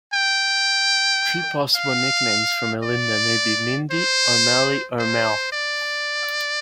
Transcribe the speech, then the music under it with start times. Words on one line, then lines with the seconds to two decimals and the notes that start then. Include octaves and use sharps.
Three possible nicknames for Melinda may be "Mindy" or "Meli" or "Mel".
0.13 G5
1.75 F5
2.83 D5
3.91 C5
4.99 C5
5.52 D5